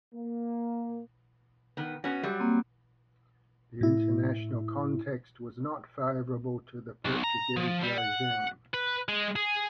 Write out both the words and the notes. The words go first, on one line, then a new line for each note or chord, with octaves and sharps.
The international context was not favourable to the Portuguese regime.
A#3
D#3 B3
B3 C#4 F#4
F#3 G3
A#3 C4
A2 E4
B1
A#5
F3
G3
F#5
B4
G#3
G#4